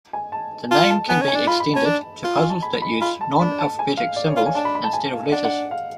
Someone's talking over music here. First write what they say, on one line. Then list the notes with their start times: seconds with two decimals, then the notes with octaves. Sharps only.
The name can be extended to puzzles that use non-alphabetic symbols instead of letters.
0.13 G#5
0.32 A5
0.71 F4 A5
0.90 A5
1.09 B3 G#5
1.22 C#4
1.28 G#5
1.35 D4
1.47 F4 B5
1.60 B5
1.74 C#4 A5
1.86 D4
2.24 F4
2.37 G#5
2.50 A5
2.63 B5
2.82 B5
3.01 F4 B5
3.21 A5
3.39 D4 B5
3.59 A5
3.79 G#5
3.97 F5
4.16 D5
4.27 C#5
4.36 F4 F5
4.46 G#5
4.55 D4 A5
4.65 B5
4.75 B5
4.84 A5
4.93 G#5
5.13 F5
5.32 D4 F#5
5.45 F#5
5.71 F5